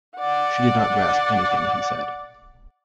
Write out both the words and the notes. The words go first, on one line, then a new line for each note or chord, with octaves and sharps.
She did not grasp anything he said.
D5 F#5